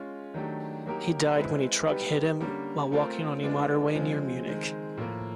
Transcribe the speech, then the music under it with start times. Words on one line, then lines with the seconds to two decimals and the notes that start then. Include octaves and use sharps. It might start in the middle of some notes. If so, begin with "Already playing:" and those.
He died when a truck hit him while walking on a motorway near Munich.
Already playing: G#3 C#4 F4
0.34 D#3 F#3 A3 D4 G4
0.86 F#3 A#3 D#4 G4 A#4
1.37 G#3 C4 E4 G#4 B4
1.89 G3 B3 D#4 G4 B4
2.40 D3 G3 A#3 C#4
2.92 A3 C4 F4 A#4
3.43 G#3 B3 D4 F4
3.95 C#3 F3 G#3 C4
4.47 D#3 G#3 C4
4.97 A2 F3 A#3